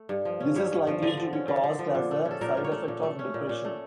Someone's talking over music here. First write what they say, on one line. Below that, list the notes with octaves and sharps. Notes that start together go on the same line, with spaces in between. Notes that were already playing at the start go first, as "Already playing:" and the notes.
This is likely to be caused as a side effect of depression.
Already playing: A3
G2
F3
C#4
G2 C#5
G2
F3
D3
F3
C#4
D3
D3
F3
A#2
A3
C#4
A4
A#2 A#4
A#2
C#5
A3
A#2
A3
C#4
A#2
A#2
A3